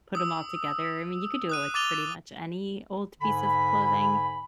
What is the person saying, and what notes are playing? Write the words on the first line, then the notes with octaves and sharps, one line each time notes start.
put 'em all together. I mean, you could do it with pretty much any old piece of clothing,
D#6 E6
D#6 F#6 D#7
D6 D#6 A6 D#7 F7 G7
G#2 D3 G#5 B5